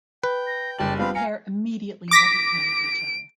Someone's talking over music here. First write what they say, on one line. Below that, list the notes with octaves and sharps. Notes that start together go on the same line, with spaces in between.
The pair immediately recognise each other.
B4 G5
A#6
F#1 G3 D5 G5 A5 F#7
G3 B3 C4 D4 F4 F5 B5
F5 G#5 A#5 C#7
D6 A#6 B6 D7